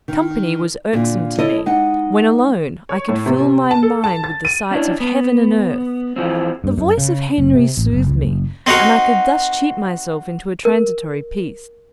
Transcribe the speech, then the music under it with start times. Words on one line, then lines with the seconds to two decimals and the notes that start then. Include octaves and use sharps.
Company was irksome to me; when alone, I could fill my mind with the sights of heaven and earth; the voice of Henry soothed me, and I could thus cheat myself into a transitory peace.
0.08 D#3
0.93 A#2 D3 F4
1.39 E4 A4 C#5 D#5
1.66 G#3 D#4 F#5
2.89 C#5
3.09 A2
3.26 C3
3.40 C3
3.71 A5
3.83 A4
4.04 A5
4.24 A6
4.45 D#7
4.71 C#4 D4 E4
5.00 B3
6.16 E3 F3 C4
6.64 G2
6.78 F#2
6.98 C#3
7.38 F#1
7.54 C3
7.77 A1
7.93 F#1
8.07 C#2
8.23 F#1
8.66 C4 D#4 F#4 A#4
10.65 A#4